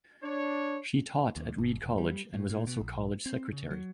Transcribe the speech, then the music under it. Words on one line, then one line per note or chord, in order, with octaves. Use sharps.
She taught at Reed College and was also college secretary.
D4 C#5
D#2
G1
D#1
G3
A2
A#2
B2
A#1
C4
C#3
F#3